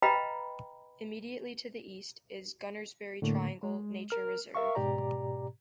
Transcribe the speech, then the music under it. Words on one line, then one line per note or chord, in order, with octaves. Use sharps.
Immediately to the east is Gunnersbury Triangle nature reserve.
B4 D#5 F5 G5 A#5 B5
A2 D3 A3 A#3
G#3
A#4 F6
A#4 E5 F5 C#6
G#2 B2 G4 D5 A#5